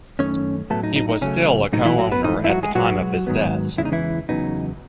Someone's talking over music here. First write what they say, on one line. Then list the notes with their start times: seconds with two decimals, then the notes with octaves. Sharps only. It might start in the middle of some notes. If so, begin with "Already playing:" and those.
He was still a co-owner at the time of his death.
0.19 F#2 D#3 A3 C#4 C#5
0.70 A2 F#3 A3 B3 A4
0.84 D#4
0.96 D#4
1.09 D#4
1.21 C#3 F#3 A3 C#4
1.73 A2 F#3 A3 D#4
1.85 E3 E4
1.98 F#3 F#4
2.12 B3 B4
2.24 G#2 E3 A3 D#4 D#5
2.44 E4
2.49 F#3 F#4
2.63 G#3 G#4
2.75 B2 F#3 G#3 B3 F#4
3.27 G#2 D#3 F#3 B3
3.78 E2 C#3 G#3 E4
3.85 D#4
3.92 E3 E4
4.29 E2 C#3 F#3 B3 D#4